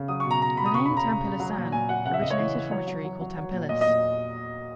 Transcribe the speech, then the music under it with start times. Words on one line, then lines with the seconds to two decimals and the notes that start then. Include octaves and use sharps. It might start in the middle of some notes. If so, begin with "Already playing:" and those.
The name Tampilisan originated from a tree called "Tampilis".
Already playing: C#3
0.08 F#3 D#6
0.20 B2 C#6
0.31 A#5
0.41 B2 A#5
0.57 B2 B5
0.66 D#6
0.74 C#3 C#6
0.85 B5
0.91 C#3
0.97 A#5
1.08 C#3
1.24 C#3
1.40 F#3
1.57 A#2
1.72 A#2 G#5
1.89 F#3 F#5
2.06 C#3 F#5
2.13 E5
2.22 C#3 D#5
2.30 C#5
2.38 E3
2.54 E3
2.71 F#3 C#5
2.87 F#3
3.05 F#3
3.21 F#3
3.38 F#3
3.53 A#2
3.69 A#2 D#5
3.81 A#2 D#5